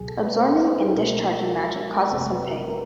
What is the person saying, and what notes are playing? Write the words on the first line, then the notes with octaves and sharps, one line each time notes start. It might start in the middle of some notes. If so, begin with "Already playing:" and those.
Absorbing and discharging magic causes him pain.
Already playing: C#2 B2 F#3 G#4
A4
B4
C5
B4
G#4
A4
C#2 B2 G#3 A#4
G1 F2 C3 C5
B4
A#4
A#4